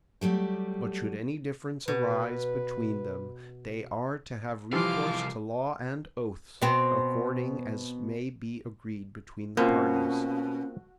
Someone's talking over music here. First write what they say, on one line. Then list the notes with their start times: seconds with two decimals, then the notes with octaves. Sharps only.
But should any difference arise between them they are to have recourse to law and oaths, according as may be agreed between the parties.
0.21 F#3 G3 A3 G4
1.88 B2 B4
4.73 C2 E3 F3 G3 F4 F5 D6
6.62 B2 C4
9.57 B2 A#3 C4 C#4 F4